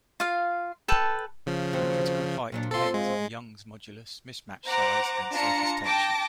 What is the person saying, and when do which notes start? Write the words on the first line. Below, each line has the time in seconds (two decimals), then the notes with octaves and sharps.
The critical height depends on the Young's modulus, mismatch size, and surface tension.
0.20 F4 F5
0.88 A4 B4 G5 A5
1.46 C#3 F3
1.72 D#2 F#3 C4
2.52 A#2 F#3 D4
2.71 C4 F4 A4 C6
2.94 G#3
4.66 C5 F#5 A#5 D6
5.35 D4 F4 A#5 C#7
5.84 G5 A5 D6 A#6